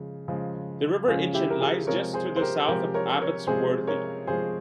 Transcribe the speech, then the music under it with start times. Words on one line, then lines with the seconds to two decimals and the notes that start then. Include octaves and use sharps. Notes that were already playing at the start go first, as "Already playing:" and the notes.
The River Itchen lies just to the south of Abbots Worthy.
Already playing: C#3 F3 G#3
0.28 C#3 F3 G#3
1.08 C#3 F3 G#3 C#4 F4
1.34 E4 G4
1.50 A#4
1.60 F4 G#4
1.87 C3 F3 G#3 A#4 C#5
2.14 G#4 C5
2.36 C5
2.41 G4 A#4
2.68 C3 F3 G#3 G4 A#4
2.94 A#4 C#5
3.21 A#4 C#5
3.47 C3 F3 G#3 G#4 C5
3.87 A#4 C#5
4.27 C3 F3 G#3 G#4 C5